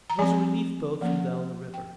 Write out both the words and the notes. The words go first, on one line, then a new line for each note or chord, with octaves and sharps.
It was a relief-boat from down the river.
A#5
F3 C4 G#5
F3 A#3 C#4
G5